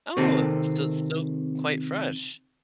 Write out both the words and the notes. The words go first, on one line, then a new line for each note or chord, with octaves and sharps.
Oh, so still quite fresh.
C3 D#3 C4 A4